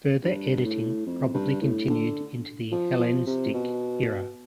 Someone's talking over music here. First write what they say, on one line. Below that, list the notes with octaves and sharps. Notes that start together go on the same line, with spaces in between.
Further editing probably continued into the Hellenistic era.
G2
A2
F2
G2
A2
D3
F3
F3
C3
B2